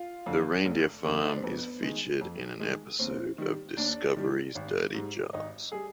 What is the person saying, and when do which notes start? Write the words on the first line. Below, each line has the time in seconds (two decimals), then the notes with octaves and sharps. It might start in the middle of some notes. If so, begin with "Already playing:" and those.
The Reindeer farm is featured in an episode of Discovery's Dirty Jobs.
Already playing: F4
0.26 F2 D3
0.65 F1
1.04 F2 D3
1.22 D#4
1.29 D4
1.37 C4
1.43 F2 B3
1.82 D#3 G#3
2.21 F2
2.60 D#3 G#3
2.99 D#2 C4
3.38 D#3 G3
3.77 D#2 D4
4.16 D#3 G3
4.55 G#1
4.94 G#2 G3
5.33 G#1 D#4
5.72 G3 G#4